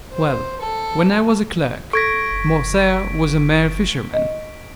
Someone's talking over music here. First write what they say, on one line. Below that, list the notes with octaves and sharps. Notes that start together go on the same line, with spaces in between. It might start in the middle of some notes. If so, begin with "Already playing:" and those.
"Well, when I was a clerk, Morcerf was a mere fisherman."
C5
A4
A4 C#6 G#6 A#6 B6 D7
F#1
D#5